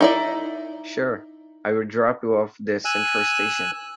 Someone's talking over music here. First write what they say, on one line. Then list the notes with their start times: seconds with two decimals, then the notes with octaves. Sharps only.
Sure, I'll drop you off at the central station.
0.01 D#4 E4 D5
2.85 G#5 E6 F#6